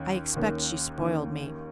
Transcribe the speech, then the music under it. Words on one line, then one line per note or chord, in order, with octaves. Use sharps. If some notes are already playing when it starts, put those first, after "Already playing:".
I expect she spoiled me.
Already playing: D#2 D#3 A#3 C#4
D#2 D#3 A#3 C#4
D#2 D#3 A#3 C#4